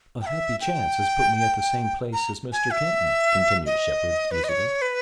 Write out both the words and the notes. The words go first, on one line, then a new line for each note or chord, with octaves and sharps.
"A happy chance has put me at the same place as Mr. Kenton," continued Shepard easily.
G5
E5
G5
A#5
G#5
E5
D#5
B4
D#5
C#5
B4